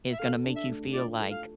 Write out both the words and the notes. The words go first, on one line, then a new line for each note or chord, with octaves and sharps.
is gonna make you feel like
E5
A4 F5
D4
E5
A3
F4 D5
A4
F5